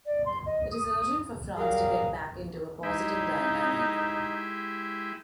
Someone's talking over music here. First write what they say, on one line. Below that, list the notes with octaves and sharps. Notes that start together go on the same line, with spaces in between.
It is urgent for France to get back into a positive dynamic.
D5
C6
D#5
D#6
D#6
D#6
F#3 G3 G#4 A#4 F5
G#3 D#4 E4 G4